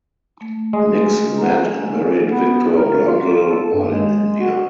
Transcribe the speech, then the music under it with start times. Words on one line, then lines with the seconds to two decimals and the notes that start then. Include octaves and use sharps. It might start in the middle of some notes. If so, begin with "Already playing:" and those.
Nixon met and married Victor Blundell while in India.
0.41 A3
0.73 G#3
1.37 F#5 A#5
1.53 G#5
2.25 B3
2.77 A#4
3.07 F4
3.47 A4
3.74 G2
3.89 G#3
4.40 F#4